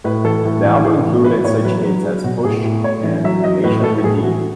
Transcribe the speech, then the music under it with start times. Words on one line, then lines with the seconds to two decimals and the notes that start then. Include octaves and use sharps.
The album included such hits as "Push" and "A Nation Redeemed".
0.04 A2 B4
0.24 E3 A4
0.45 A2
0.65 E3
0.85 E3 G#4
1.05 A2
1.24 E3 B4
1.44 A2 C#5
1.65 F#3 B4
1.85 F#3
2.04 F#3 G#4
2.24 B2 F#4
2.44 A2 G#4
2.64 A2
2.84 A2 C#5
3.04 E3
3.24 F#3 E5
3.44 F#3 D#5
3.64 A2 B4
3.84 A2 A4
4.04 A2 G#4
4.24 E3 F#4